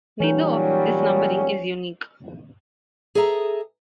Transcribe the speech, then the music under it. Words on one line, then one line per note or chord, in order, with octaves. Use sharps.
Neither of this numbering is unique.
A#2 E3 F#3 G3 C#4 D#4
G#4 A4 D#5 E5 A#5